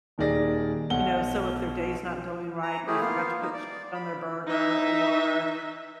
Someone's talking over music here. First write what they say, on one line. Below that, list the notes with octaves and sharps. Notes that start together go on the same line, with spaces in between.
You know, so if their day is not going right and you forgot to put cheese on their burger, or,
D#1 D#3 G#4 D5 A#6
B1 F#5 G7
A#5
A3 C#4 E4 G4 G#4
A#3 B3 F4
D#4
D5
B5
D#4 E5